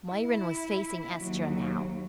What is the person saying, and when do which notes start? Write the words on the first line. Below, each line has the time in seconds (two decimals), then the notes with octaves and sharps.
Myrin was facing Estra now.
0.10 E4
1.18 D#2 F#3